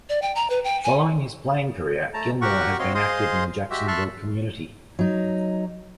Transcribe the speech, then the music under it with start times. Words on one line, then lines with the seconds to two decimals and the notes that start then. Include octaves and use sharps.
Following his playing career, Gilmore has been active in the Jacksonville community.
0.09 D5
0.22 G5
0.35 A#5
0.50 B4
0.64 G5
0.84 G#5
2.14 A3 A5 A#5
2.42 F#4 G4 A#4 F#5 C#6
2.79 C4 F#4 C#5 D#5 F5 C6
2.95 G#4 C5 D#5 F5 C6 D#6
3.70 G#3 F#4 G4 E5
3.88 E5 A5 C6 C#6 F6 F#6
4.99 F#3 D#4